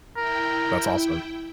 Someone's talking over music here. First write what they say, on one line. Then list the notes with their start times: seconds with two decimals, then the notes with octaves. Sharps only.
That's awesome.
0.17 E4 A#4 G5